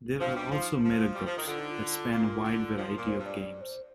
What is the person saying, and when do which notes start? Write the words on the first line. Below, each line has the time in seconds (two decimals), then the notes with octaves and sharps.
There are also meta-groups that span a wide variety of games.
0.19 F3 D4
0.35 G3
0.50 F3 D#4
0.83 F3 F4
1.15 G3 F4
1.26 F3
1.36 D#3
1.47 D3 F4
1.59 D#4
1.71 F4
2.11 A#2
2.44 D3
2.76 F3 F4
2.91 A#4
2.97 A#2
3.08 C5
3.18 G2
3.24 D5
3.40 D5
3.61 C5